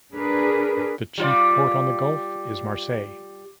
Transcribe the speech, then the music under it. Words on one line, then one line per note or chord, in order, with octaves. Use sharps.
The chief port on the gulf is Marseille.
D4 G#4 A#4 B4
G3 F4 D5